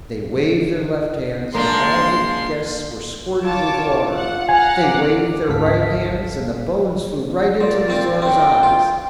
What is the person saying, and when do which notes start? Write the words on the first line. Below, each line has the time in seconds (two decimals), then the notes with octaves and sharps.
They waved their left hands and all the guests were squirted with water; they waved their right hands and the bones flew right into the Tsar's eyes.
1.54 F3 G#3 A#3 D4 C6
3.43 F4 C#5 A5 D6
4.12 F#5
4.49 F5 F#5 G#5 A#5
4.83 D6
5.48 G#1 D2 A4 F5 B6
7.61 A#2 D5
7.88 A#2 C4 F4
8.22 F#2 C4 G5
8.63 F4